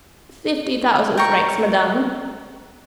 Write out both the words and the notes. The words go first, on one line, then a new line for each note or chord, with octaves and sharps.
"Fifty thousand francs, madame."
G5 A#5 C#6